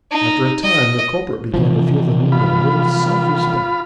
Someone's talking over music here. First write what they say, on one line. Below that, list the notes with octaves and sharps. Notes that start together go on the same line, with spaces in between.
After a time the culprit began to feel the need of a little self-respect.
D#4
D#5
C3 E3 F3
F4 B5